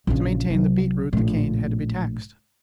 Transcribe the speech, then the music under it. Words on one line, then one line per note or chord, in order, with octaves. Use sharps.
To maintain the beet-root, the cane had to be taxed.
A#1 C#3
C2 F#3
A#1 A2